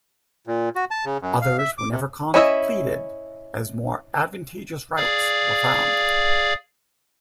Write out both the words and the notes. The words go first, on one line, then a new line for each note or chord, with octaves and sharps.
Others were never completed, as more advantageous routes were found.
A#2
F#4
A5
C#3
F#2
F5
E5
D6
C3
C#4 E4 D#5 E5
G#4 D5 F5